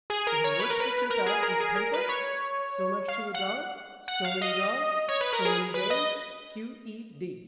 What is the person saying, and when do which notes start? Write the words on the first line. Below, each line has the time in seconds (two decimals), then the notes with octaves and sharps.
They had worked the trip out with a pencil, so much to a dog, so many dogs, so many days, Q.E.D.
0.10 G#4
0.27 A#4
0.44 C#5
0.60 B4
0.70 A#4
0.80 B4
1.10 A#4
1.26 G#4
1.43 A#4
1.60 G#4
1.76 A#4
1.93 B4
2.09 C#5
3.08 F5
3.34 F#5
4.08 F#5
4.24 F5
4.41 D#5
5.08 C#5
5.21 B4
5.33 A#4
5.45 G#4
5.74 B4
5.90 D#5